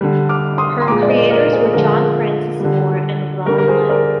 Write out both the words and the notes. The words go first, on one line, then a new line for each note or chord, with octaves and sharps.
Her creators were John Francis Moore and Ron Lim.
D3 G3
D6 F6
C6 D#6
C6
A#2 G#3 A#5 D6
D5
C5 D#5
A#4
G#4 C5
D3 F3 G#3 A#4
D3 G3
D3 G3 A#4
A#4
G#4 C5
A#4 D5